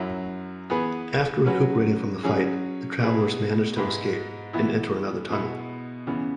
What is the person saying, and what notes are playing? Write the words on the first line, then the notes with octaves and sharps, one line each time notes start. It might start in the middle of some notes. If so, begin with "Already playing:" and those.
After recuperating from the fight, the travelers manage to escape, and enter another tunnel.
Already playing: F#2 F#3 E4
E3 B3 G#4 B4
F#3 C#4 F#4 B4
F#3 C#4 E4 G#4
B2 B3 E4 G#4 B4
G#2 G#3 E4 B4
E3 B3 E4
B2 G#3 B3 E4
C#3 E3 B3